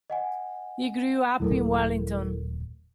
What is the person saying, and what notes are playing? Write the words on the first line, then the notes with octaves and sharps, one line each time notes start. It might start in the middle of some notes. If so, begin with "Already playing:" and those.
He grew up in Wellington.
D#5 F#5 G#5
D#1 F#3 A3 E4 A4 A#4